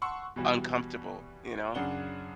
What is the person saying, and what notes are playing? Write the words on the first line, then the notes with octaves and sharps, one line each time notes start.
uncomfortable, you know?
F#5 A5 C6 C#6 E6
B2 E3 G3 F#4
F#2 C#3 D4 F#5 G7